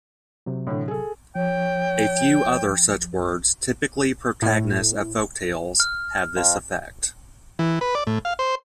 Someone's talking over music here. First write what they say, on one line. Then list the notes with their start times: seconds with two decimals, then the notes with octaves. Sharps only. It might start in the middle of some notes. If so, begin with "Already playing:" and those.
A few other such words, typically protagonists of folk-tales, have this effect.
0.46 C3 F#3
0.67 A2 D3
0.88 G#4 A4
1.35 F3 C#5 G5
4.42 A2
5.80 F6
6.36 F2
7.59 E3
7.81 B4
7.95 D5
8.07 A2
8.25 F5
8.39 C5